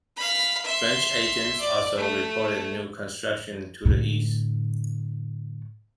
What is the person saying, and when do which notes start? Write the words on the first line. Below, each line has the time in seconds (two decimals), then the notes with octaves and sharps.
French agents also reported new construction to the east.
0.17 F5 B5
0.65 E5 C6
1.60 D5
1.98 A3
3.85 A2 D3